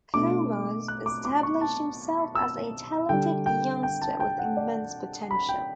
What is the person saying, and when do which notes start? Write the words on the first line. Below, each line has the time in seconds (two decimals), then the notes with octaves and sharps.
Koumas established himself as a talented youngster with immense potential.
0.14 B2 A3 D4 D6
0.88 F#6
1.06 D6
1.25 D6
1.43 C#6
1.61 A5
2.35 E6
3.09 D3 G3 D4 G5
3.46 G5
3.83 G5
4.02 A5
4.20 G5
4.39 F#5
4.57 D5
5.31 B5
5.49 G5